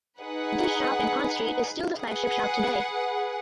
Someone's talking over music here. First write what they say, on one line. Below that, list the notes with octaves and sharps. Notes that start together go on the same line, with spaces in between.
This shop in Pont Street is still the flagship shop today.
D#4 G#4 B4 F#5
G#4 B4 F#5